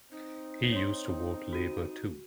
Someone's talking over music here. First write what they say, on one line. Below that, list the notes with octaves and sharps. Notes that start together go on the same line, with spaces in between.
He used to vote Labour, too.
C4 D#4
C#5 C6
F#4 D#7